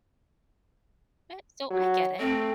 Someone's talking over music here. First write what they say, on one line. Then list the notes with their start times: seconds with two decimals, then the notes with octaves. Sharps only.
eh, so I get it,
1.70 F#3
2.20 A3 C4